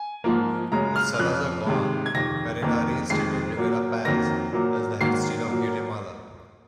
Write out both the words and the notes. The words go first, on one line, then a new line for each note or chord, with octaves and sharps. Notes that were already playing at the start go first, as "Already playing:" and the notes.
With Salazar gone, Carrera reinstated Rivera Paz as Head of State of Guatemala.
Already playing: G#5
G#2 F3 A#3
F#2 C#3 G#3 A#5
F6
F6
F2 C#3 F3 F#6
C3 D#3 G#3
G#6
F2 C3 D#3 A#6
F2 D#3 A#3
F2 D#3 G#3 C7
A#2 F#3 A#3
F2 D#3 F#3 A#3 A#6
A#2 F#3 A#3
G#2 D#3 F#3 A#3 C7
A#2 F#3 A#3